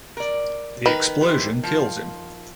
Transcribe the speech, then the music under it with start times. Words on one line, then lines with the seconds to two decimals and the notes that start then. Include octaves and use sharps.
The explosion kills him.
0.17 A#4 D5
0.86 D#3 B4
1.21 E3 G4 C5
1.63 F3 F4